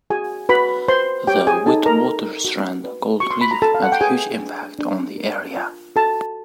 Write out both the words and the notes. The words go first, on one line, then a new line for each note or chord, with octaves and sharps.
The Witwatersrand Gold Reef had a huge impact on the area.
F#4 G#4 G#5
F#4 B4 B5
B4 C5 C6
G4 C#5 G5
G#4 G#5
D#4 A4 A5
A#4 A#5
A4
F#4
B4
F#4 C#6
C6
B5
A#5
F#4 A4 A5
F5
F#5
G5
G#4 B4 G#5
D4
D4
A#4
F4
F#4 A4 A5